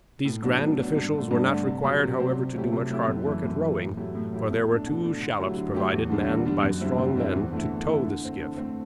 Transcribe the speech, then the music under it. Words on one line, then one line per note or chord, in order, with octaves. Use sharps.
These grand officials were not required, however, to do much hard work at rowing, for there were two shallops provided, manned by strong men, to tow the skiff.
A2
F#3 B3 D4
A2
F#3 B3 D4
G2
D3 A3
G2
D3 A3
C3
F#3 C4 G4 C5
C3
F#3 C4 G4 C5
C3
F#3 A3 E4 G4
C3
F#3 A3 E4 G4
F#2
E3 A3 E4
F#2
E3 A3 E4
A2
F#3 A3 E4 G4
A2
F#3 A3 E4 G4
B2
A3 D4
B2
A3 D4
D3
F#3 A3 E4 G4
D3
F#3 A3 E4 G4
E2
D3 G3 D4
E2
D3 G3 D4
F#2
D3 G3 C4 E4
F#2
D3 G3 C4 E4
E2
D3 A3 E4
E2
D3 A3 E4
D3
A3 C4
D3
A3 C4